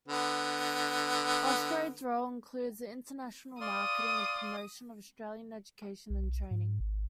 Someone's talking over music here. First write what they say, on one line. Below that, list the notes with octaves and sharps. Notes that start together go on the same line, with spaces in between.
Austrade's role includes the international marketing and promotion of Australian education and training.
D3 B3
D5 F5 C6 D#6
B1
G#2
G#1